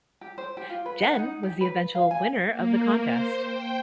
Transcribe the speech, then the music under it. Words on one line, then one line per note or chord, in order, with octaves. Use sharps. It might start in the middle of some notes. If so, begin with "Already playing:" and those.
Jen was the eventual winner of thecontest.
G4
C5
G4
F4
B4
F#5
D#4
G4
B4
F5
G#5
A#3
C5
G5